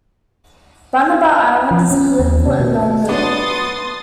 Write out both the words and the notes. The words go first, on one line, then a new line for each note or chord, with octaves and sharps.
Banaba Island is a political anomaly.
F3
C#4
D#2
C3
B2
B3 D4 C6 D#6 A6